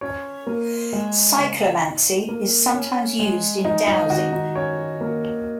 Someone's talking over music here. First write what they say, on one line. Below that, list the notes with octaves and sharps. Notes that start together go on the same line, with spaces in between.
Cyclomancy is sometimes used in Dowsing.
C#4 C#5
A#3
G#3
C#3
D#4
A#3
C#4
G#3
G#3 D#4
D#4
D#3 F#4
D#4
C#4 C#5
A#3